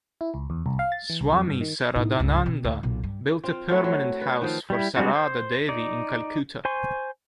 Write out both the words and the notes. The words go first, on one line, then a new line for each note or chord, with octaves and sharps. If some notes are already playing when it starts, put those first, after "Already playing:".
Swami Saradananda built a permanent house for Sarada Devi in Calcutta.
E4
C#2
E2
C2
F5
A6
E3
C2
F2
G2
D#3
A2 D#4
C#2 G2
B2 C4
D2
B1 A#2
G2
C4 F4
F#3 A3 E4
F#3
B4
D#3 F3 F5
G3 E4
G3 G#3 C4 D4 F#4
C5
D#4 D5
C5 G#5 C6 C#6